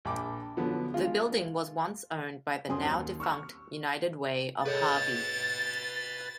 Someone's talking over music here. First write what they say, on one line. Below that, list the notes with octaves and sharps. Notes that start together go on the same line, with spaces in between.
The building was once owned by the now defunct United Way of Harvey.
A#1 G5 A5 B5 D6
D3 F3 F#3 B3
G#3 F4
F#2 C5 G#5 C6 D#6
D#2
C#6 E6 F6
G#4 A4 B4 C#5 D#5 A6